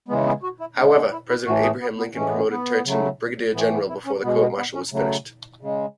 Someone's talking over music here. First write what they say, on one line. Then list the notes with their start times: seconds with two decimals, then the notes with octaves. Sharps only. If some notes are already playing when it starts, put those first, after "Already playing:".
However, President Abraham Lincoln promoted Turchin to brigadier general before the court-martial was finished.
0.08 C#3 E3 G#3 B3
0.25 B3
0.43 F#4
0.60 E4
0.77 D3 G#3 D4
0.94 D4
1.12 E4
1.30 E4
1.47 A2 E3 A3 F#4
1.64 G#4
1.81 B3
1.98 B3
2.15 A2 E3 G#3 C#4
2.26 B3
2.37 C#4
2.50 B3
2.85 C#3 F#3 A3
3.53 A2 E3 A3 B3
3.71 B3
3.89 E4
4.06 C#4
4.23 B2 B3
4.26 G#3
4.40 B3
4.58 B3
4.75 C#4
4.92 C#3 F#3 A3
5.61 C#3 G#3